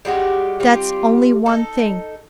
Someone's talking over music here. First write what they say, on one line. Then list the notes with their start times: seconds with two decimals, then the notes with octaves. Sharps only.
That's only one thing.
0.05 G3 G#3 F#4 G4
0.60 G3 C4 F4 G4
1.46 D#4 A4